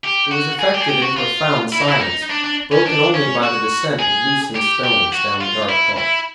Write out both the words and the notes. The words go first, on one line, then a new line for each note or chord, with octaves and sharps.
It was effected in profound silence, broken only by the descent of loosened stones down the dark gulf.
G4
F#4
G#4
G4
G#4
G4
F#4
F4
E4
D#4
E4
D#4
D4
D4
C#4
D4
C#4
F#4
G#4
G4
G4
F#4
F4
E4
E4